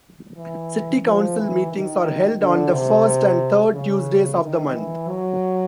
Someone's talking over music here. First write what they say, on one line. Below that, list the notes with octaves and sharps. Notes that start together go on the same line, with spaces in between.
City Council meetings are held on the first and third Tuesdays of the month.
E3
F3
E3
D#3
D3
C3
C#3
D#3
E3
F#3